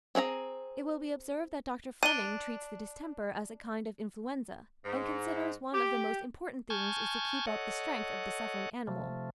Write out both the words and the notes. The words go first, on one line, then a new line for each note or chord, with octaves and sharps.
It will be observed that Dr. Fleming treats the distemper as a kind of influenza, and considers one of the most important things is to keep up the strength of the suffering animal.
C4 G#4 E5 A#5
D4 D#7 G7
G#2
G4
G#5 A5 C#6 F6 G6 G#6
A4 C#5 D#5 F#5
C3 F3 A3